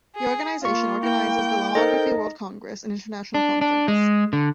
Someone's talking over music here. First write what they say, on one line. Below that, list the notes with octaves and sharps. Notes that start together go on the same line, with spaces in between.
The organisation organises the Lomography World Congress, an international conference.
G#4
A#3 F4 F5 C#6
E4 G5
D#4 A4 A#4 C5 D#5
D4
D4
G#3
D3